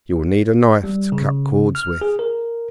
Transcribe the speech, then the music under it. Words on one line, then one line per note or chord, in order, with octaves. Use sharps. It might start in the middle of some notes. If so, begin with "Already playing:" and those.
You will need a knife to cut cords with.
G3
C#3
F6
G#4
A#4